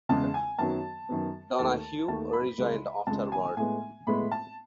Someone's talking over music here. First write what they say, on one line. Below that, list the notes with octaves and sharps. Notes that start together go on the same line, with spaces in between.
Donahue rejoined afterward.
E2 C#3 G#3 A5
G#5
F#2 D#3 F#3 B3 A5
F#2 D#3 F#3 B3
D#2 D#3 A3 A5
D#2 D#3 A3 A5
B5
C#2 C#3 G#3
C#2 C#3 G#3 A5
G#5
A2 G#3 B3 G#5
A2 G#3 B3 B5
A5